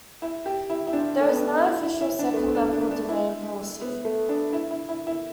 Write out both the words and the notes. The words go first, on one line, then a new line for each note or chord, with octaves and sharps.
There is no official second-level domain policy.
E4
G4
E4
E4
D4
A3
B3
E4
E4
E4
D4
A3
B3
D4
D4
D4
E4
B3
A3
D4
E4
E4
E4
E4